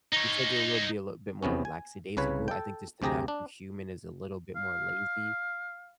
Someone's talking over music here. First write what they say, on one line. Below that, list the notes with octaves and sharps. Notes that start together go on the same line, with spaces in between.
you start to lil be a little bit more lackadaisical, I think just the natural human is a little bit more lazy
D#4 C#5
E2 C3 B3 C#4
G#5
C2 C#3 B4 C#5
A4 G5
D2 C3 G4 G#4 A#5
D4
F5